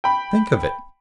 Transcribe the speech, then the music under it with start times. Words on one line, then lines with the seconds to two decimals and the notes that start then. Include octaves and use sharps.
Think of it!
0.04 G5 B5